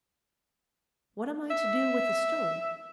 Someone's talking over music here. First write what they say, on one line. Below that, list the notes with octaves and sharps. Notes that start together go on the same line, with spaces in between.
"What am I to do with a stone?"
E5